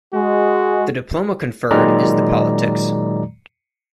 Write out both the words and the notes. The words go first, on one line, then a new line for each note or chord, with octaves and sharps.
The diploma conferred is the Politics.
G#3 F#4
A#2 D#3 F#3 G#3 D5 A#5